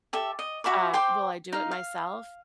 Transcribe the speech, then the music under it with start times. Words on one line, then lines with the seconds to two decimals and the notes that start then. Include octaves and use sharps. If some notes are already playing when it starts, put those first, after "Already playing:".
Uh, Will I do it myself?
0.13 G4 A4 E5
0.39 D#5
0.64 F#4 E5 B5 D6
0.93 C5 G5 C6 D6
1.53 D#4 F5
1.71 F5